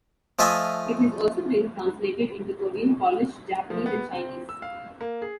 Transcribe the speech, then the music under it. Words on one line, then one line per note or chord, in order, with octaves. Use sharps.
It has also been translated into Korean, Polish, Japanese, and Chinese.
F3 A3 F4 D#5 E5 G#5
F3
B3
C4
E6
F5
A#3
G#4